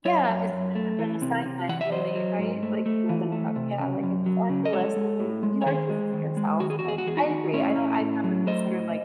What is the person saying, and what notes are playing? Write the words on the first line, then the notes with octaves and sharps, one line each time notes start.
Yeah, it's kind of an assignment really, right, like, more than a h yeah, like, it's on your list and you you are doing it for yourself, but I agree, I don't I've never considered, like,
F#2 C#5 E5
F#2
F#2
A3
E3
C3
C3
E3 F#5
E5
F#3 C5 D#5
F#3
G#2
A3
A3
E3
A3
C3
C#3
F#2
F#3
C#3
D#5
G#3 A4 C#5
G#3
A2
G#3
C#5
D#3 G#4 C5
G#3
D#3
G#3
D#3 F#4
G#4
E2 F#4
G#4
F#4
E2 G#4
D#4 F#4
D#3
A2 C#4 E4
A2
A2
F#3
A3 C5 D#5
A2